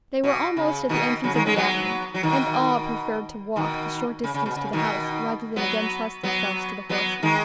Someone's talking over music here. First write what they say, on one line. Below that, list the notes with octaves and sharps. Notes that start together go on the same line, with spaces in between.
They were almost at the entrance of the avenue, and all preferred to walk the short distance to the house rather than again trust themselves to the horses.
B2
C#3
B2 D#3
C#3 F#3
D#3 G#3
G#3 C#4
F#3 B3
F#3
B2 D#3
B2 D#3
C#3
C#3
B2
C#3
B2 D#3
F#3 B3
F#3 B3
F#3 B3
D#3 G#3